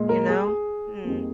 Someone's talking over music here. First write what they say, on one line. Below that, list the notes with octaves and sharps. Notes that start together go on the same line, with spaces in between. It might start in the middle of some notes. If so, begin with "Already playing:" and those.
you know? Mm.
Already playing: A#2 G#3
A#4
G#4
G#4
F2 D#3 G3 A#3